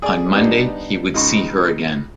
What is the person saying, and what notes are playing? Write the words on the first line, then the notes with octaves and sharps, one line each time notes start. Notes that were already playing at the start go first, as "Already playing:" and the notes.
On Monday he would see her again.
G#4 D5
G3 B3 D4 D#4
C#2 C#3 D#4 C6 C#6